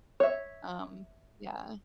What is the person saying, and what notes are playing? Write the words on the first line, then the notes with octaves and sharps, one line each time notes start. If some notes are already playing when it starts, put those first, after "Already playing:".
um, yeah.
C#5 E5